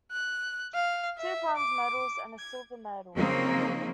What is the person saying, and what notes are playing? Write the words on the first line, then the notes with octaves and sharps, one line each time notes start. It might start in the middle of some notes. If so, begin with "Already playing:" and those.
Two bronze medals, and a silver medal.
F#6
F5
E5
D6
G#6
C#3 F3 F#3 A#3 C4 D#4